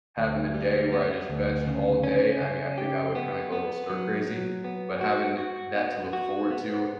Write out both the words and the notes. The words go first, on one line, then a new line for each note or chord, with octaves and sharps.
having a day where I just vegged all day, I mean, I think I would kinda go a little stir crazy, but having that to look forward to,
D2
G3
B3
D2
C#3
C#4
C#3
G4
B3
B3
F#3
F#3
B3
F#4
F#4
B3
F#4
B3